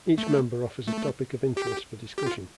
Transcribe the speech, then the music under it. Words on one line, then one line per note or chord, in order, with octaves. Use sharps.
Each member offers a topic of interest for discussion.
A3
A3
G4
G4
F4